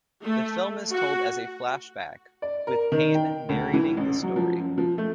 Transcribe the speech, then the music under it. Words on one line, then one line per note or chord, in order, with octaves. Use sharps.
The film is told as a flashback with Payne narrating the story.
A3
F#4
D5
A#4
D#3
G5
D2
E3
A1
F#3
F3
F#2
F3
A3